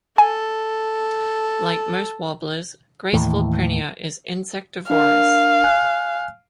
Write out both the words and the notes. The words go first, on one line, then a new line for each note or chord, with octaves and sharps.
Like most warblers, graceful prinia is insectivorous.
A4 G#5
D#2 A2 E3
D4 A#4 F5
G#5 F#6